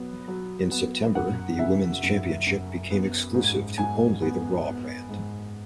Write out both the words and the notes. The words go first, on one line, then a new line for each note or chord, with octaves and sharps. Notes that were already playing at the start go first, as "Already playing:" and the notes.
In September, the Women's Championship became exclusive to only the Raw brand.
Already playing: F#3 B3
F#3
B3
F#2 F#5
C#3 E5
F#2
F#2
B3
G#2
G#2 G#5
B3
B3
G#2